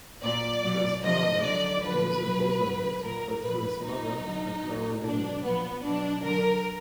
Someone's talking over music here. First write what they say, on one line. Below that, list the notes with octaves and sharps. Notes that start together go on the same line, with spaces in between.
Through his father, he was a Bosonid, but through his mother, a Carolingian.
A#2 F#3 D5
B2 F#3
D3 F3 D#5
D3 F#3 D5
D3 F3 B4
B2 F#3
B2 F#3
A#2 F#3 A#4
A#2 F3 B4
B2 F#3 D#4
D3 F#3
B2 F#3
B2 F#3 D4
A#2 F3 B3
B2 F#3 D4
D3 F#3 A#4